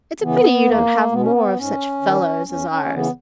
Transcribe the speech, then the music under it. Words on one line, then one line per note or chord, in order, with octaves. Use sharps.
'It's a pity you don't have more of such "fellows" as ours.
C#3 E3 B3
E2 A#3
B2 B3
C#4
B3
G#2 C#4
D#3
E2 C#4
C#4
C#3 E3 B3